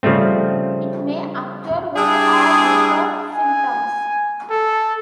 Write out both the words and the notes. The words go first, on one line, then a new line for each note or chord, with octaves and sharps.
It may occur with or without symptoms.
C#3 F3 G3 A3 C4
G3 D4 E4 G#4
G#5
A4